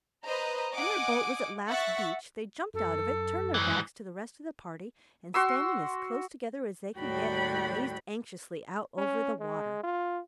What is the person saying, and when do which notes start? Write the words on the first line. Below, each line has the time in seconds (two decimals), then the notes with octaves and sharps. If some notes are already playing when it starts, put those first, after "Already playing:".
When their boat was at last beached, they jumped out of it, turned their backs to the rest of the party, and standing as close together as they could get, gazed anxiously out over the water.
0.24 B4 C5 D#5 A#5
0.74 D#5 F#5 G#5 D6 D#6
1.69 E5 F#5 C#6 A6
2.74 F#2 A4
3.54 G#2 E3
5.34 F#4 C6 E6
6.98 D#2 A2 G3 F#4 G5 B5
8.98 C#4
9.40 G#3
9.83 F4